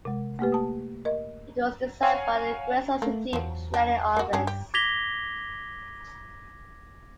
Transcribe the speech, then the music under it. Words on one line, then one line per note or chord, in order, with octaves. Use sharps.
It was designed by the Quezon City Planning Office.
C3 G#3
A3 A#3 G4 B4
A5 D#6
A#4 D#5
C#5 F5 F#5 G#5
A3 A#3
E2 F3 F#3
D4
A#3 F#4
G2 C#4 D4 G#4
G4
D6 G#6 A#6 B6 F7 G7